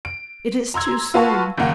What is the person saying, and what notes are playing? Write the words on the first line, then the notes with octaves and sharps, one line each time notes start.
It is too soon.
D7
A#5 C6 E6 G#6
F4 F#4 B4 F5 A5 C#6
F#1 D#2 A#3 F#5